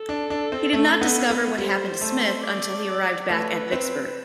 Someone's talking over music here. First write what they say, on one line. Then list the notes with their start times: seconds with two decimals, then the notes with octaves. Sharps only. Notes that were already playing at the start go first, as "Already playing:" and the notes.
He did not discover what happened to Smith until he arrived back at Vicksburg.
Already playing: A4
0.09 D4
0.30 D4
0.52 C4
0.73 A3
1.01 B3
1.30 B3
1.58 G3 C5
2.01 A3
2.44 D5
3.29 A3 B4
3.72 C4